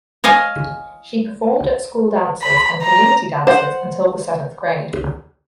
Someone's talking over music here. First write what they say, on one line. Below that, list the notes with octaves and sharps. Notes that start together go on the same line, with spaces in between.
She performed at school dances and community dances until the seventh grade.
C#5 D#5 F5 G#5
B5
A#5
C5 F#5